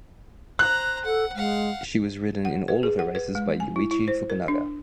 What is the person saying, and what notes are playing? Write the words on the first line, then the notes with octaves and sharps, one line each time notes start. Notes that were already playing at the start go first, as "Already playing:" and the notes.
She was ridden in all of her races by Yuichi Fukunaga.
C5 A#5 F#6
A4 F#5
G#3 F5 F#5
F#5
B4
G#4
F#5
B4
G#3
G#5
E4
E4
C5
A#4
D4